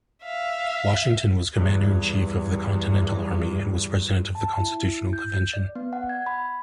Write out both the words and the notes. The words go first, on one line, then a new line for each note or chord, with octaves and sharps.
Washington was Commander-in-Chief of the Continental Army and was President of the Constitutional Convention.
E5 F5
E2 G2
A5
E4
G6
D5
B3
F#5
G#6
B5